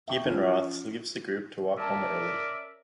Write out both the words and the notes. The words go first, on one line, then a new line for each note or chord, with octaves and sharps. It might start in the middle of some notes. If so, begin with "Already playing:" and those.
Giebenrath leaves the group to walk home early.
E5 G5 C#6
F3 C#4 F6
C#4 A#4 D5 E5 A5 A#5